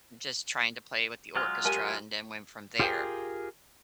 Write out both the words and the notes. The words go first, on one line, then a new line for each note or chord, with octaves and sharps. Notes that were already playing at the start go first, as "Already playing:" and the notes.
Just trying to play with the orchestra and then went from there,
F#3 G#3 F4
G4 A#4 G#5
F4 G4 G#4 A#4 F5 G5